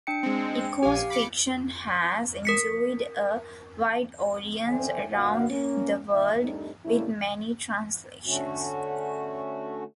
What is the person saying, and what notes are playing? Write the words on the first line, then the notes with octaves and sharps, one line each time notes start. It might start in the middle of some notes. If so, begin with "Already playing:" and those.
Eco's fiction has enjoyed a wide audience around the world, with many translations.
D4 G5 C#7
G#3 C4
A#1 G4 F5 G#5
B5 D6 C#7
A#4 B6 C#7
A4 C5 D5 E5 G5 G#5
A#2 D3 B3 F#4 F5 F#5
A#3 C#4
D#2 E5
C2 C3 G3 A3 D4 D#4
D3 G3 A3 A#3 C#4 E4
D3 A3 C#4 F#4